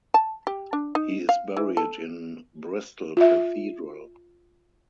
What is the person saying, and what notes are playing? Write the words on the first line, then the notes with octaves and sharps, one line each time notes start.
He is buried in Bristol Cathedral.
A5
G4
D4
D#4
F5
E3
A4
F4 E5